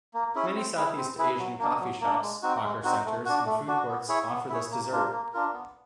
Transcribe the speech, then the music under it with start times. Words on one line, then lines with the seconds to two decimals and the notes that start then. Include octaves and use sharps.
Many Southeast Asian coffee shops, hawker centres, and food courts offer this dessert.
0.14 A#3
0.35 C#4 E4 G#4
0.55 C4
0.76 E4 G#4 B4
0.97 C4
1.18 E4 G#4 B4
1.38 F#3
1.59 A#3 D4
1.80 F#3
2.01 A#3 D4
2.22 G#3
2.42 C4 D#4 F#4
2.63 G#3
2.84 C4 D#4 F#4
3.05 A3
3.25 D4 F#4
3.46 A3
3.67 D4 F#4
3.88 B3
4.08 E4 G#4 C#5
4.29 B3
4.50 E4 G#4 C#5
4.71 A#3
4.92 D4 F4 A#4
5.12 A#3
5.33 D4 F4 A#4
5.54 B3